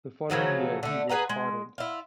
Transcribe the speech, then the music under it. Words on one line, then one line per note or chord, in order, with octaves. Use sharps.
The following year, he was pardoned.
C#3 F3 F#3 A3
D3 A3
G#4 B4 F#5 A#5
G#3
E4 F4